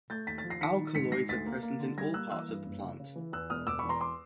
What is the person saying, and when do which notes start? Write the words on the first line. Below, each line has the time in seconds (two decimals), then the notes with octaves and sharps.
Alkaloids are present in all parts of the plant.
0.10 A3 G6 A6
0.27 D#2 A6 B6
0.38 A6 B6
0.44 F3
0.50 A#6 C7
0.61 D#3 B6 C#7
0.79 D#3
0.95 G#2 B6 C#7
1.12 G#2 A#6 C7
1.29 D2 A6 B6
1.46 A#3
1.63 A#3
1.80 D3
1.98 G3 G#6 A#6
2.14 A#3 E6 F#6
2.31 E3 E6 F#6
2.48 G2
2.66 F#1
2.83 C#3
3.00 C#3
3.16 E3
3.32 E2 E6 F#6
3.50 E1 D#6 F6
3.67 E1 D6 E6
3.79 B5 C#6
3.83 E2
3.89 A#5 C6
4.01 C6 D6